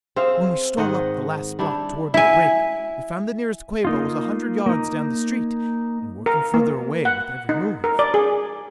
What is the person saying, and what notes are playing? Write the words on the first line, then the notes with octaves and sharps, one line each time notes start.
When we stole up the last block toward the break we found the nearest Quabo was a hundred yards down the street--and working further away with every move.
C4 G#4 E5 F5
G#2 D#3 D#5 F#5
G3 D4 E4
E4 G#5
A#3 D#4 F4
A#3 D#4
A#4
A#3
F#5
D#4
A#4
D5
G#4